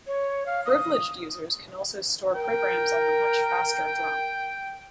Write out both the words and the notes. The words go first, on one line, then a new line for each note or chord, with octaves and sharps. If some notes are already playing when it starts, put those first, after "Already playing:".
Privileged users can also store programs on the much-faster drum.
C#5
F5
D#6
A#4 G5